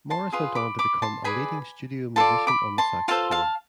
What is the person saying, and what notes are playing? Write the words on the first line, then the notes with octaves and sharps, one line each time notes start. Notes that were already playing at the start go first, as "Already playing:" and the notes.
Morris went on to become a leading studio musician on the saxophone.
A5 C6
F4 G#4 B4 C6
B5 D6
B5 D6
A5 C6
G#4 B4 D5 G#5 B5
F4 A4 D5 A5 C6
B5 D6
A5 C6
F4 A4 C5 F5 A5
F5 A5